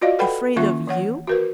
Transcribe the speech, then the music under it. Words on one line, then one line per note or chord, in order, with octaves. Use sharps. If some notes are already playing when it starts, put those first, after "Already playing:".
Afraid of you?
F4 F#4 D5 D#5 F5
A4 B4 F#5 G5 B5
D#3 A#3 C#4 F4 E5 C#6
E3 C#5 F#5
F#4 A#4 B4